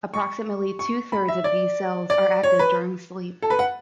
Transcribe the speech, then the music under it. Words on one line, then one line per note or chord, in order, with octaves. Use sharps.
Approximately two thirds of these cells are active during sleep.
C#6
C#6
B5
E5
D5
D5
C#5
B4
A4
B4
F#5